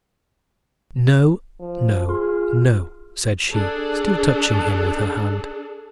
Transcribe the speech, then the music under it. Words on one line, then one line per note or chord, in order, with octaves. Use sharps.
"No, no, no," said she, still touching him with her hand.
F3
F4 G#4
D4 G#4 A4